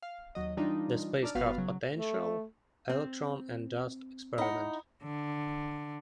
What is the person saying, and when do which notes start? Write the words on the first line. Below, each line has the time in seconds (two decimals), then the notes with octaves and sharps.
The Spacecraft Potential, Electron and Dust Experiment.
0.02 F5
0.35 D#2 F#3 D#5
0.57 E3 G3 D4 D#4 F4
1.23 D4 D#4 D5 F6
1.35 G1 B3 F#4 B4 F5 A6
1.58 C#3 F#3
1.92 A3
2.90 C4
4.38 D#4 E4 F#5
5.04 D3